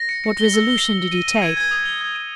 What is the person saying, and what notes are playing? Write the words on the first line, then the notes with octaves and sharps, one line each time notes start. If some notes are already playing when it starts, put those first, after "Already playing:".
What resolution did he take?
Already playing: A#6
C#7
C#7
G7
E6
G7
G7
G7
D#7
D#7
G#6
G#6
D#6
G7
G#6
D#7